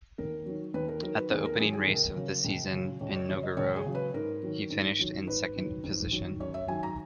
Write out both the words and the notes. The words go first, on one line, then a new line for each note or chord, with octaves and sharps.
At the opening race of the season, in Nogaro, he finished in second position.
D#2 A#4
D#3 F#3
D#2 B4
A#4
D#3 F#3 A#4
B4
D#2 G#4
A#4
D#3 F#3 G#4
G#4
C#2 A#4
C#3 F#3
C#2
C#3 F#3
C#2 C#5
C#5
C#3 F#3 C#5
D#5
C#2 C#5
G#4
C#3 F#3
B4
G#2 A#4
D#3 F#3
G#2
D#3 F#3
G#2 B4
D#3 F#3
G#2
D#3 F#3
F#2 C#5
E5
D#3 F#3 G#5
A#5